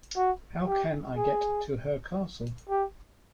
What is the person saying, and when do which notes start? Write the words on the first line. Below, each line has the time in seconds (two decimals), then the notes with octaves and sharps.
How can I get to her castle?
0.16 F#4
0.67 G4
1.17 G#4
2.69 G4